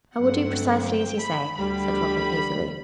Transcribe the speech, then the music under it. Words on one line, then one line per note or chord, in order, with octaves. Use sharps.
"I will do precisely as you say," said Robin easily.
G2 D3 F#3 A3 C4 F#5
G5
B5
D2 D3 G3 B5